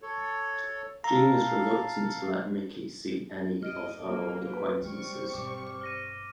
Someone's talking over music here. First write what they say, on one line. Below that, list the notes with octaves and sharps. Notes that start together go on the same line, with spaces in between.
Jeanne is reluctant to let Mickey see any of her old acquaintances.
A4 C#5
A4 F5 A#5
G2 D#5 F6 D7
A2 F#3 A#3 A4
B4
G3 G#3 C4 G4 C#6
G2 B2 D6
F6 A#6 D#7